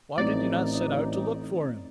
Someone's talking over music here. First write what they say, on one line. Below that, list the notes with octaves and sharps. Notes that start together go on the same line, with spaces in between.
Why did you not set out to look for him?
A1 A3 C4 D#4 D5